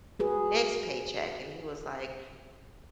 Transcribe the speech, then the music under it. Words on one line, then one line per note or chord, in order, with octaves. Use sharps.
next paycheck.” And he was like,
F#4 G#4 B4